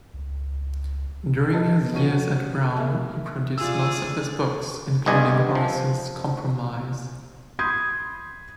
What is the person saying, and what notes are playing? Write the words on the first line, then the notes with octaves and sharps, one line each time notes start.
During his years at Brown, he produced most of his books, including Horace's Compromise.
C#2
B4 D#5 A5
F3 C#4 F#4 D#7
A#3 G#4 E5
F4 G#4 D5 E6
G1 G2 D#5 G#5
F3
B5 C6 D#6 G6 G#6